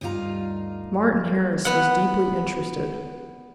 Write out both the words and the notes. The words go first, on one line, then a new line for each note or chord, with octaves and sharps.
Martin Harris was deeply interested.
D2 G2 D#4 F4 F5 A#5
B3 F#5